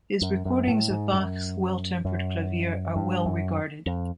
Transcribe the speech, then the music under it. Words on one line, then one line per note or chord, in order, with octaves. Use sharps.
His recordings of Bach's Well Tempered Clavier are well regarded.
F#2
F#2
A2
G#2
F#2
F#2
G2
F#2
F2